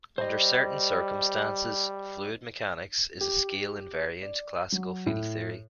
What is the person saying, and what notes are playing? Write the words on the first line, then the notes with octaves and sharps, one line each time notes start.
Under certain circumstances, fluid mechanics is a scale-invariant classical field theory.
G3 C5 D#5
G4
D5
F#3
A2